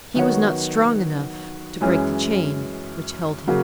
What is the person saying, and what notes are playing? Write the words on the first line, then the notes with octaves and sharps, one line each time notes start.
He was not strong enough to break the chain which held him.
D#3 F#3 B3 F#4 C#5
F#2 E3 G#3 C#4 E4
C#3 F#3 A#3 F#4